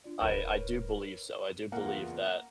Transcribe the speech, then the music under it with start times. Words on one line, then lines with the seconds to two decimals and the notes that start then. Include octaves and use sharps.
I I do believe so. I do believe that,
0.04 D4 F4 D5
0.21 D1 G#2 D3 A#4 B4 C#5
1.72 E2 C#3 A#3 F4 F#5